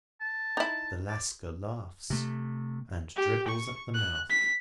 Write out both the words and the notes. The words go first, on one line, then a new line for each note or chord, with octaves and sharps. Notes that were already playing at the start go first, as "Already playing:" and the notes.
The Lascar laughs and dribbles at the mouth.
A5
D#4 E4
D5
C3 A3
G4
C#6
F#6
B6